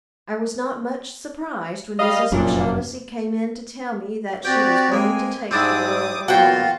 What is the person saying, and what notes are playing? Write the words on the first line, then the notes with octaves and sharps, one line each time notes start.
I was not much surprised when Mrs. O'Shaughnessy came in to tell me that she was going to take the girl along.
G3 D#5 F5
F1 F#2 A#2 F3 G3 D4
C4 F#4 G4 D5 G5
G#3 A#3 G#5
G#2 G3 C4 D4 E4 D6 D#6
A#2 F#3 B3 F4 F#4 F5 G5